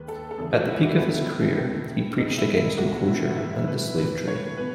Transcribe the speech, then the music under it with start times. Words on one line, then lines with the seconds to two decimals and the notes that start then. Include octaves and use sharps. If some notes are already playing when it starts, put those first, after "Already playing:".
At the peak of his career, he preached against enclosure and the slave trade.
Already playing: D#2 D#3 G#3 B4
0.08 A4
0.31 A4
0.38 E2 C#3 E3 A3 G#4
0.53 F#4
0.68 E4
0.83 F#4
0.97 C#2 B2 G#3 E4
1.57 D#2 D#3 A3
2.18 C#2 C#3 G#3 D#4
2.38 E4
2.78 C#2 B2 F#3 F#4
3.07 E4
3.37 G#2 E3 G#3 E4
3.68 B4
3.97 A2 E3 A3 B4
4.28 C#5
4.57 B2 B4